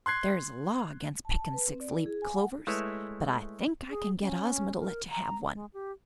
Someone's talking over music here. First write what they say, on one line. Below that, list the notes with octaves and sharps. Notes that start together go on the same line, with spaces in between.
"There is a Law against picking six-leaved clovers, but I think I can get Ozma to let you have one."
C6 F#6 G#6 C7
A5
A5
B4
C4
D5
E4
G#4
G#5
F#5
G#3 A3 E4 B4 C#5 E5
G#4
C#4
A#4
A#5
G#3
G4